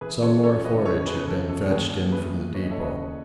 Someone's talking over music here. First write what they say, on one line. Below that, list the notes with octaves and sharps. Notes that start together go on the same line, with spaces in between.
Some more forage had been fetched in from the depot.
E3 G#4 B4
E3 A4 C#5
F#2 A4 C#5
C#3 B4 D#5
F#2 A4 C#5
C#3 G#4 B4
B4
E3 A4
F#2 A4
D#2 G#4 B4
D#2
E3 G#4 B4
D#2
E3 C#5
D#5
A4 C#5
C#3
B4 D#5
D#2